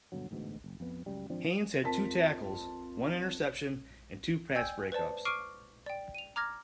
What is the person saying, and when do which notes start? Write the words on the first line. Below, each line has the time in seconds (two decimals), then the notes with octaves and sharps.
Haynes had two tackles, one interception, and two pass breakups.
0.12 G2 B2 D3 F#3
0.31 A1 D2 G#2 B2
0.64 F#1
0.80 F2 B3
1.06 C#2 F#2 G3
1.30 G#1 F3 C4 D4
1.83 F2 F4 A#4 A5 B6
4.55 D5 G5 G#5 E6 G6 G#6
4.92 B4 C5 D5 A5
5.25 C#6 D6 F6 C7 D7 D#7
5.86 D5 G5
6.15 D#7 F7
6.36 A#5 D6 F6 G#6 A#6